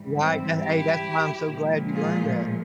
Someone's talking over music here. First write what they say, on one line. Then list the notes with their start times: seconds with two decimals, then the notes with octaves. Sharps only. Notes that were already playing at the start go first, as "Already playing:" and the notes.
Right, na hey, that's why I'm so glad you learned that.
Already playing: G#2 E3 G3
0.16 C4 E4
0.60 E4 G4
1.48 A#2 F3 G#3
1.92 F4 G#4